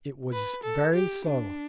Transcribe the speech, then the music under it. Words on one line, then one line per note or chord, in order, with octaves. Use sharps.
It was very so.
B4
A4
G4
D4